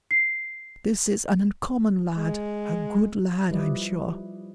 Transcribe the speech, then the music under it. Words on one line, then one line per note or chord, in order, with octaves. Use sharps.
'This is an uncommon lad; a good lad, I'm sure.'
C7
G#3
F3 G3 E4 B4 D5 D#5